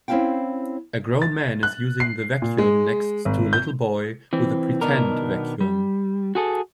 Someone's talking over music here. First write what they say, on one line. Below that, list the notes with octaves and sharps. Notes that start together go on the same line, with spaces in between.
A grown man is using the vacuum next to a little boy with a pretend vacuum.
C4 C#4 E4 F4 F5 G5
A6
F#6
C7
A#2
G#3
G#1
G6
E3 C4
B2 D#3 B3 D4 A#4
G3
F#4 G#4 A4